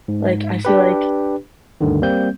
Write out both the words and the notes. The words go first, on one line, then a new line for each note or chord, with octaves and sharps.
Like, I feel like
G#2
D4 G4 B4
D2 G2 D3 D#3
G3 A#3 C4 G6